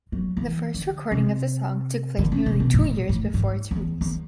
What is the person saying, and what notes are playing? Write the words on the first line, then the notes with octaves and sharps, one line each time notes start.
The first recording of the song took place nearly two years before its release.
F#3
E3
D3
C3
D3
C#3
C3
B2
A2
A#2
A2
G#2
E2
E2